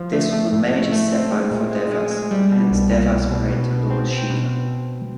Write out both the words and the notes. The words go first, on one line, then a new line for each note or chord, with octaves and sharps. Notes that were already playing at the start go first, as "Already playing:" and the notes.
This was a major setback for Devas and hence Devas prayed to Lord Shiva.
Already playing: F3
A3
A3
A2
A3
A3
C4
G#3
A#2
G#3
G#3
G#3
G3
B2
C2
C2
C2
B2
B2
B2
C4
C4
B2